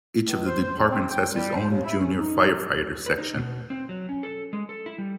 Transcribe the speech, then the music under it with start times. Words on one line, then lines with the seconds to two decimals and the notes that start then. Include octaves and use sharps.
Each of the departments has his own junior firefighter section.
0.24 C#2
0.46 C5
0.62 C5
0.77 E2
0.90 C4
1.09 G5
1.32 G3
1.54 C5
1.70 D#2
1.84 E4
1.99 C#4
2.19 D#4
3.06 B4
3.18 D#4
3.35 B2
3.70 C4
3.89 F#3
4.09 C#4
4.23 A4
4.53 G#3
4.69 A4
4.86 E4
4.98 G3